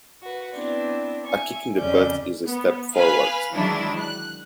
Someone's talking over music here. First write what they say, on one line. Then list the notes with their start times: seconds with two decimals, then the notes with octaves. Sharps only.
A kick in the butt is a step forward.
0.22 F#4 B4
0.54 B3 C4 D4 E4
1.26 E5 G#5 C#6
1.77 F2 C#3 C#4 D5 G6
2.46 B3
2.93 B4 F5 G#5 B5
3.54 D#3 E3 F#3 G#3 D4 E4
3.99 F#6